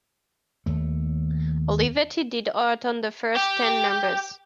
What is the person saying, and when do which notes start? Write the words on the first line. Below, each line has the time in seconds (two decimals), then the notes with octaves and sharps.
Olivetti did art on the first ten numbers.
0.66 D#2 A3
3.37 G4